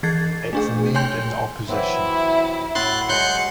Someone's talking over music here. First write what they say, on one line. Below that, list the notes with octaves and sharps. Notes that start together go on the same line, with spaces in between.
It remained in the opposition.
E3 G#4 G#6 A6 C7
A3 D4 G#4
C#5 G5 G#5 C6 G6
E3 F#3 C4 E4
A2 E4 F#4 C6 F#6 A6
F#3 G#3 C6 F#6 G6 C#7